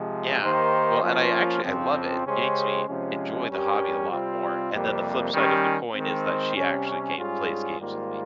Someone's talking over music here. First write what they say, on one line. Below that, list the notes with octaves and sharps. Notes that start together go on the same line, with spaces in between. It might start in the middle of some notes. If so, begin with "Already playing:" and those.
Yeah. Well, and I actually I love it, gakes me enjoy the hobby a lot more. And then, the flip side of the coin is that she actually game plays games with me.
Already playing: C3 F3 G#3
D#3 A#3 D#4 G4 C5
F3 A#3 C#4 F4
F2 C#3 F3 C4
C#3 G#3 C#4 G4 C5
C3 F3 G#3 C#4
G2 G3 C#4 G4 A#4
C3 G3 C4 F4
F2 C3 G3 A#3
D#3 G3 C#4 G4
D#3 G#3 C4
C3 G3 C#4
G#2 G3 C#4 F4 G#4
G#2 D#3 G3 A#3 F4